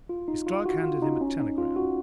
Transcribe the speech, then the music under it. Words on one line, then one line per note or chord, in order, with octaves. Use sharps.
His clerk handed him a telegram.
F4
D#4
F4
F#4
F4
D#4
C#4
D#4
F4
F#4